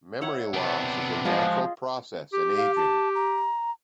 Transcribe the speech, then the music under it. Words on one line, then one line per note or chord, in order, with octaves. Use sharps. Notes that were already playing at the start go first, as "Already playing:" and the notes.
Memory loss is a natural process in aging.
E4 C#5 F#5
C3 B3 D4 G4
F3 G#3 F4 F#4 G#4 D#5
G4
F5
A5
A#5